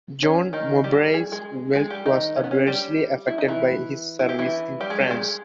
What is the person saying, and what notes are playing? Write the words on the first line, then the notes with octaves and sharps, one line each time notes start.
John Mowbray's wealth was adversely affected by his service in France.
C#4
D#3 D#4
G3 G4
G#4
G#3 G#4
G#3 G#4
G3 G4
D#3 D#4
C#4
B3
C#4
G3 G4
E4
D#4
E3 E4
E4
G4
E3 E4
G3 G4
G#3 G#4
G3 G4
G#3 G#4